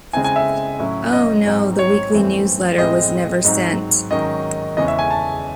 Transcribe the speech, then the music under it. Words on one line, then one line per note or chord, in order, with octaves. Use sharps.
Oh no, the weekly newsletter was never sent!
C#3 G#3 C4 E4 G#5
G#5
E5
A2 F#3 C#4 E4
D#5
G#2 F#3 C4 D#4
C#5
F#2 E3 A3 C4
A2 G#3 C4 E4 D#5
G#2 F#3 C4 D#4
G#2 D#3 F#3 C#4 D#5
E2 C#3 E3 G#3 C#4 D#5
E5
G#5
A5